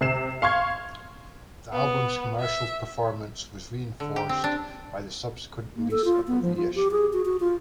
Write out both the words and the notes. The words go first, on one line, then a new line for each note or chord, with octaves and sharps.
The album's commercial performance was reinforced by the subsequent release of a reissue.
C3 C7 E7
F5 C6 C#6 G#6
B3
E5
D3
G4
C4
D4
A#3
A4
F4
B3
F3
F4
G4
G#4
F#4
F#4
F4